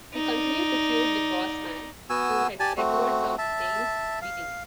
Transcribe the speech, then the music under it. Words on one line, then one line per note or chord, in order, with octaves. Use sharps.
He continued to feud with Boss Man, who had recovered from Nailz's beating.
D#4 D5
B3 F#4 G#5 E6
G4 D5 G#5 A5
A3 C4 F#4
E5 A5
F5